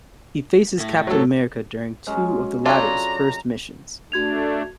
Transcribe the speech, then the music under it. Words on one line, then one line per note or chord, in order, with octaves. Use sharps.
He faces Captain America during two of the latter's first missions.
A2 A3
F#3 A4
F#3 G#3 C#4
D4 F4 A4 C#5 D5 A#5
A3 D4 F#4 G#6 F7